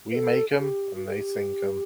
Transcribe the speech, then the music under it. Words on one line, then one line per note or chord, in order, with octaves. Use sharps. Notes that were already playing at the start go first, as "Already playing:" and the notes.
"We make'em and they sink'em".
B4
A4
G4
F#4
A4
G4